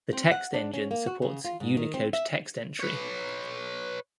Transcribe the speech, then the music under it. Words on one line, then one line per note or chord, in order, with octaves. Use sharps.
The text engine supports Unicode text entry.
C4
F#5
D4
C#4
A#3
F#4
C#3
F4
G#2
D#3
C4
E5
B4 C#5